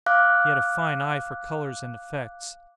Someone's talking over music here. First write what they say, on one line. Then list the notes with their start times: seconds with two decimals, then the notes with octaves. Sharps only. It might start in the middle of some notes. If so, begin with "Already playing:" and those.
He had a fine eye for colors and effects.
0.06 F5 D6 F#6